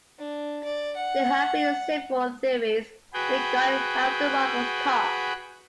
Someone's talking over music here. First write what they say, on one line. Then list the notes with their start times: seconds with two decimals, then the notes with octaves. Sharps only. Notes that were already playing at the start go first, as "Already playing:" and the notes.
There have been several theories regarding how the rock was carved.
0.18 D4
0.64 D5
0.96 F#5
3.14 F#4 G#4 B4 G5